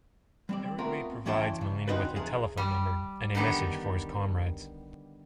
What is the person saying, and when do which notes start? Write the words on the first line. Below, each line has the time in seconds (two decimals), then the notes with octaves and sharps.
Arregui provides Molina with a telephone number and a message for his comrades.
0.49 G3 C4 D5
0.79 A3 B3 C4 F4 A#4
1.26 C#2 E3 C#4 E4 G5 A5
1.61 C#3
1.88 D3 C4 C#4 D#4 F#4 B4
2.16 C3 F3 G#4 F5
2.57 G3
3.35 D3 D#3 B3 G4